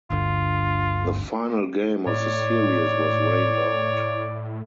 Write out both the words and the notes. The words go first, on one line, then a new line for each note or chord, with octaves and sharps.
The final game of the series was rained out.
G1 D2 G2 D3 F4
A2 C#5 D5